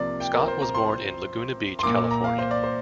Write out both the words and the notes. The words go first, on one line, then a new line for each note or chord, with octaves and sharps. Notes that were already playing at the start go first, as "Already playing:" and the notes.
Scott was born in Laguna Beach, California.
Already playing: C3 F3 A#3 D5
G5
A#4
C5
A#5
C6
C6
A#2 A#3 D6
A#5
F5
C5
D5
C5